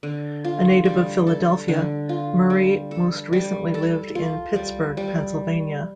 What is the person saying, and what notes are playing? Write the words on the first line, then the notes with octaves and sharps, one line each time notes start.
A native of Philadelphia, Murray most recently lived in Pittsburgh, Pennsylvania.
D3
F4
G3
A4
D3
F4
G3
A4
G3
A4
F4
G3
G3